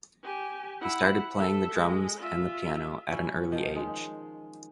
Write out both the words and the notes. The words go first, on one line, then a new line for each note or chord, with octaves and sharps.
He started playing the drums and the piano at an early age.
G4 G#5
E4 F#5
A4 E5
G#3
F4 E5
F#3 C#4 E4 E5
D#3 F3
G#3